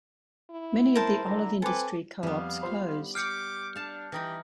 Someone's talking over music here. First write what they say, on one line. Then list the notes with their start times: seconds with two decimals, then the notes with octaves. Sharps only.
Many of the olive-industry co-ops closed.
0.50 E4
0.96 A#4 C5 A5
1.25 D3 E4 A#5
1.62 C4 A4 B4 G#5 D6
2.23 F2 G3 B3 F5
2.62 F4 C5 B5
3.15 G4 D6 F6 G6 C7 C#7
3.76 D4 F5 A5
4.12 E3 D#4 G4 G5 B5